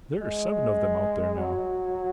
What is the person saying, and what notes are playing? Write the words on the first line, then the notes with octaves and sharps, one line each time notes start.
"There are seven of them out there now."
G#3
F#3